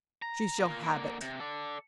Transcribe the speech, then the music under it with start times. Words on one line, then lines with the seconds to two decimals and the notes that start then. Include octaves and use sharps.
"She shall have it."
0.22 A#5
0.59 F4 A#4
0.83 D3 A#3
1.22 C3
1.40 A4 D5